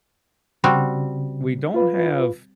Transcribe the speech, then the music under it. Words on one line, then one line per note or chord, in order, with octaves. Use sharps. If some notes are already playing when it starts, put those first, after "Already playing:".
we don't have
C#3 G3 C4 F#4
F4 B4